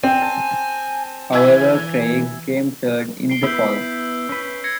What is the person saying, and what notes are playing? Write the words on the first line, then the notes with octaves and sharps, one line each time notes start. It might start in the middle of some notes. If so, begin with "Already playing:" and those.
However Craig came third in the poll.
C4 G#5
A5
E3 E5 G#5 E6
C7 D7 G7
B3 E4 B4 E6 G6
C#4 B4
G#6 A#6 C#7